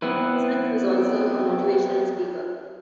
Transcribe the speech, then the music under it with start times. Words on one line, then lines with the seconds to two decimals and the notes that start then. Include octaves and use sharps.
Smith was also a motivational speaker.
0.02 B3 C4 E4 B4